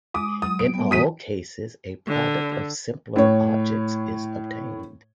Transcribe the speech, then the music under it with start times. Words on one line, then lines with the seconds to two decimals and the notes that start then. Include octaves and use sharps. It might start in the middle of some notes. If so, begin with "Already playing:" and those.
In all cases, a product of simpler objects is obtained.
0.14 G#3 D6 D#6
0.42 F#3 D#6
0.59 D7
0.74 G3 B3
0.91 A2 E3 F#4 D#6 B6 D#7
2.08 D3
3.16 A2 C#5